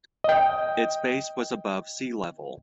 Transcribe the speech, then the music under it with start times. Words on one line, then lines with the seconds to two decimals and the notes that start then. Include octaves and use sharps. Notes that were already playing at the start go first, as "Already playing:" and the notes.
Its base was above sea level.
0.24 D#5 G5